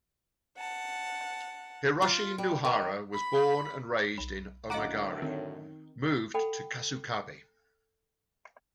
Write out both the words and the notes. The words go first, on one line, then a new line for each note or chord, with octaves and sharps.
Hiroshi Nohara was born and raised in Omagari, moved to Kasukabe.
F#5 A5
F4
G3
D#3
B5
B1 B5
F#2 A2 D3 D#5 F5 F#5 A#5 D6
D#3 C4
A4 F#5 G5 B5